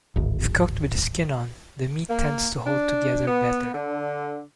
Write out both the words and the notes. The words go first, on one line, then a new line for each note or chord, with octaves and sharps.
If cooked with the skin on, the meat tends to hold together better.
D1 G#1
A#3
D4
B3
D3